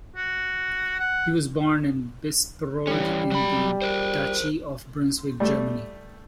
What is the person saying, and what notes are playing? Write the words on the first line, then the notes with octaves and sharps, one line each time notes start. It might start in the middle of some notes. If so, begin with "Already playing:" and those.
He was born in Bisperode in the Duchy of Brunswick, Germany.
F#4
F#5
E3 G3 C#4
F#3 B5
A#4 C5
G3 A3